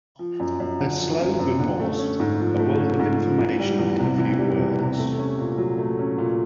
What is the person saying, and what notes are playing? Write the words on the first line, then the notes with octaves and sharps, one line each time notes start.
Their slogan was "A World of Information in a few words".
F3
F#2
F#2
D3
F3
F#2
F#2
D3
A3
C#4
G#2
F3
A3
C#4
G#2
F3
E3
G3
E2
C3
E3
G3
E2
C3
A3
C#4
A#2
F#3
A3
C#4
A#2